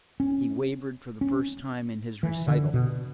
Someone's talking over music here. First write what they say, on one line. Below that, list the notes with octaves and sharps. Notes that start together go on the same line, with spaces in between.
He wavered for the first time in his recital.
C#4
C#4
E3
D3
B2